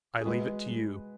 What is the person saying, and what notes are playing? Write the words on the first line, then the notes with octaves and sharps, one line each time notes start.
I leave it to you.
G#4
G#3 F#4 B4
G#3